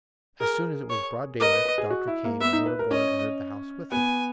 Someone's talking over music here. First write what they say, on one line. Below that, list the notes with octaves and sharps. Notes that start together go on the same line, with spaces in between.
As soon as it was broad daylight the doctor came, and Winterborne entered the house with him.
G#4 A#4
C#5
A#4 D#5
B4
B4
G#4
F#4
E4
A#3
B3 E5
D#4
B4
A#4
C#4 D#5
B3 G#5